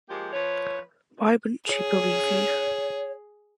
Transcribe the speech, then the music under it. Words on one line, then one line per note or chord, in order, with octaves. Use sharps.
Why wouldn't she believe you?
F3 G#3 A#3 G4
F3 B4 C#5
G#4 C#5